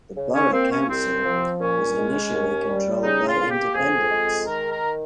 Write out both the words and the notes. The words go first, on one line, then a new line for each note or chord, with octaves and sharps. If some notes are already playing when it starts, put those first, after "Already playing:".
The borough council was initially controlled by independents.
C#3
C#4
A#3 C4
C#4
C2 C4
F3
A#2 C#4
G#3
D#2
G3
C#3 D#4
F4
A#3
G4
F2 G#4
G#3
D#3 A#4
A#4